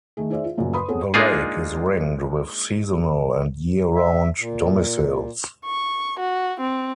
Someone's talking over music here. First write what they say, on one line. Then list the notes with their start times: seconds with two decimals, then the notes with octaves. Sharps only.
The lake is ringed with seasonal and year-round domiciles.
0.17 D#3 A3 G#4
0.30 D#4 G#4 C5 D5 E5
0.44 F4
0.58 F#2 A#2 C#3 F3
0.74 B4 B5 C6 D#6
0.88 B3 C4 G#4 A4 C#5
1.14 G#3 A#3 D4 D#4 F4 G#4
3.95 E5
4.40 A#2
5.66 C#6
6.20 F#4
6.60 C4